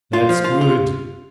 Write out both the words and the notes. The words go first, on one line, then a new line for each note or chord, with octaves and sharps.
That's good!
F4
F3
F4
F4